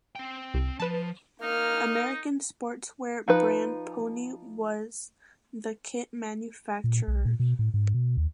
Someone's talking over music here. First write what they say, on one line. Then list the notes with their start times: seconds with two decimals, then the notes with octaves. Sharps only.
American sportswear brand Pony was the kit manufacturer.
0.16 C4 G5
0.54 C2
0.80 F3 B4 A5
1.42 A#3 D#4 F6
3.28 F3 D#4 B4
6.84 A#2
7.08 B1
7.25 A#2
7.40 B2
7.59 A2
7.74 G#2
7.94 B2
8.17 D#2